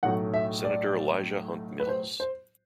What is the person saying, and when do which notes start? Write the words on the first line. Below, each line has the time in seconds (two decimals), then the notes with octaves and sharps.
Senator Elijah Hunt Mills.
0.03 B1 A2 F#3 A3 F#5
0.34 E5
0.65 D5
1.80 B4
1.89 C5
2.20 C5